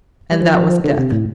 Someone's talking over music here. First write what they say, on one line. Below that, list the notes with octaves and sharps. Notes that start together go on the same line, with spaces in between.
And that was death!
G3
F3
D3
C3
A2